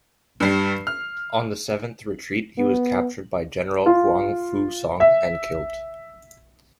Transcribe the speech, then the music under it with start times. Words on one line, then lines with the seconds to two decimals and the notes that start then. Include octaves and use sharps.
On the seventh retreat he was captured by general Huangfu Song and killed.
0.40 G2 G3 C7
0.87 F6
2.58 B3
3.86 F4
5.00 E5